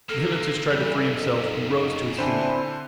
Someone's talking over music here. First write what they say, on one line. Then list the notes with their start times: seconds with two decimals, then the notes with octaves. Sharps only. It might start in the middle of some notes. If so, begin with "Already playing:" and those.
The hypnotist tried to free himself; he rose to his feet.
0.09 C3 A#3 A4 F6
0.69 F#2 E3 F3 G3
1.13 D#4
2.17 D3 C4 D4 E4 C5 G#5 E7